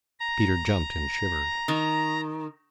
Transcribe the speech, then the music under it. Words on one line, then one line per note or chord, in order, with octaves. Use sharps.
Peter jumped and shivered.
A#5
D#3